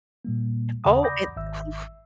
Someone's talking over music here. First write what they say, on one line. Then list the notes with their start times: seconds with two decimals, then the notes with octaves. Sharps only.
Oh, and, oof.
0.25 A#2 G3 A#3
0.84 D#2 C#3 F#5 A#5 D#6
1.02 D5 B5 D6 D#6 G6 A#6
1.37 G#1 E5 E6